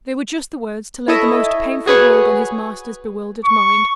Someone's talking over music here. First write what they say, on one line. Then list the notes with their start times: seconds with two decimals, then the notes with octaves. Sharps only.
They were just the words to lay the most painful hold on his master's bewildered mind.
1.08 E4 A4 C#5 D#5 E5
1.86 F#4 G#4 B4 C#5
3.45 C#6